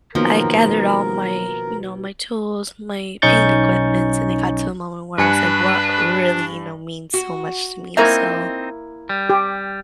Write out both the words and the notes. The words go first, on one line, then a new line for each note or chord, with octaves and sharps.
I gathered all my you know, my tools, my paint equipments, and it got to a moment where I was like, "What really, you know, means so much to me?" So
B2 D#3 F3 F#3 A#3 B3 A#4
B1 C#4 D#4 C#6 G6 A6
G2 D4 B4 G#5 C#7
F#4
A#3 C4 D#4 E4 A#4 E5 A#5
G3
G4